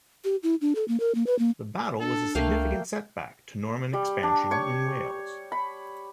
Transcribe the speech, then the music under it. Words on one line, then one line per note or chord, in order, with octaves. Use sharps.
The battle was a significant setback to Norman expansion in Wales.
G4
E4
D4
A4
A#3
A#4
A#3
B4
A#3
D4 A4
C#2 A3 A#3 F5 G5
G3
D4
G4 C#5 C#6
B5